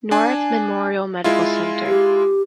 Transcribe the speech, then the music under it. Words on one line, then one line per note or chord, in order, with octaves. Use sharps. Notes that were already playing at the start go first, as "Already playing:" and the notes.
North Memorial Medical Center.
D4 G#5
G#3 E4 F4
G4